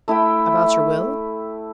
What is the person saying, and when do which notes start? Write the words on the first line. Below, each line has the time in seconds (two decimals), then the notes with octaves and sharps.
"About your will?"
0.08 A3 E4 E5 G5